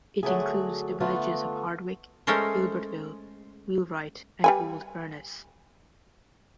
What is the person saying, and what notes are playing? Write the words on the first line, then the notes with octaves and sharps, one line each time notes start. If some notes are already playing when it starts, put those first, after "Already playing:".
It includes the villages of Hardwick, Gilbertville, Wheelwright and Old Furnace.
D3 F#3 A3 G#4
D3 A3 B3 F4
G#3 A3 C#4 A#4 C5
G3 B4 G#5